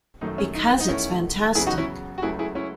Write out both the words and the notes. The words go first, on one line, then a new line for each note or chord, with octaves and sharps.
Because it's fantastic.
F#2 D#3 F#3 A3 D#4
C#4
D#4
D#4
E2 D#3 A3 C#4 E4
E2 C#3 F#3 B3 E4 G#4
D#4 F#4
C#4 E4
F#4
C#2 C#3 F#3 A3 E4 G#4
E4 G#4
C#4 E4